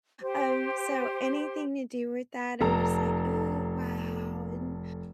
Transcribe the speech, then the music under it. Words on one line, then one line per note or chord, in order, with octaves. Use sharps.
um, so anything to do with that, I'm just, like, "Ooh, wow," and
G4 C5
F1 A4 A#5